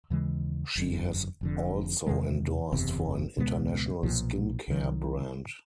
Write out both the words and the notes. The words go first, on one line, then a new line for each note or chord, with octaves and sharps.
She has also endorsed for an international skin care brand.
D#2 C#3 E3 G#3
F#1 F#2 D3
F1 F2 D3
E2 C3 D#3 G#3
F#1 E2 C3
C#2 B2 G#3 B3
B1 A#2 F3
C2 C3 D#3 F#3